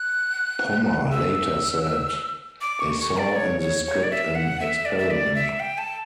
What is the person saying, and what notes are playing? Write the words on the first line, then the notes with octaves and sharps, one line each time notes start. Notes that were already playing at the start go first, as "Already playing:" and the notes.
Pommer later said: They saw in the script an 'experiment'.
Already playing: F#6
E6
D6
C#6
C#6
D5
C#5
C#5
C#5
D5
E5
F#5
E5
D5
E5
D5
E5
G5
A5